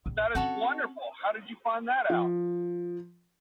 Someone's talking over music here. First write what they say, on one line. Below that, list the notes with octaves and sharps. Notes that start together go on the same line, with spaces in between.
But that is wonderful! How did you find that out?
A#1
C4 C#4 F#4 A4 C#5
F3